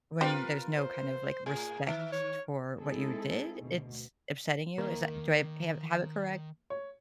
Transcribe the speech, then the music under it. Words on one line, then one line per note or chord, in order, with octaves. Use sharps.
when there's no kind of, like, respect for what you did, it's upsetting you? Is that do I have have it correct?
C4 F4 G4 A#4 B4
C5
A2 G#4
D#3 E5
C#5
G#3 C4 D#4 E4 G#4 A4
D2 B2
D#3 A#3 D#5
C#5